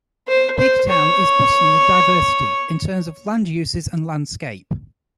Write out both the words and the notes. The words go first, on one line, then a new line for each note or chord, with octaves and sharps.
Pigtown is bustling with diversity, in terms of land uses and landscape.
C5
C5
C#5